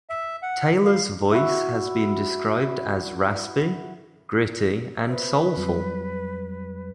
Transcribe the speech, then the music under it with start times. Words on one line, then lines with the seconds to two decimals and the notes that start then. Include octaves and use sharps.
Taylor's voice has been described as raspy, gritty and soulful.
0.10 E5
0.42 F#5
0.85 F5
1.32 E4 F#4
5.09 B4 C5 E5
5.57 F2 F#3 G3